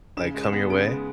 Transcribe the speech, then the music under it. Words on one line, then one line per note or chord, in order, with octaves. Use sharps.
like, come your way.
C#3 E7
G#3
E7
B3
C#3 D7
G#3